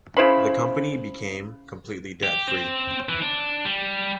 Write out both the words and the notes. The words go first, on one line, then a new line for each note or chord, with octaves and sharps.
The company became completely debt-free.
C#3 E4 C5 B5
G4
C4
E3
D4
G3